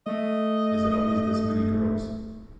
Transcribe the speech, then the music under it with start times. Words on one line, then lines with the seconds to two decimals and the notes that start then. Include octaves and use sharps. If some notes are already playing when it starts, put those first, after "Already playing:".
Is it always this many girls?
0.07 A3 D#5